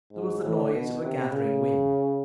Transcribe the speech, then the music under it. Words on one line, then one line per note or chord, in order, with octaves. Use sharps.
There was the noise of a gathering wind.
G#2
A2
B2
C3
C#3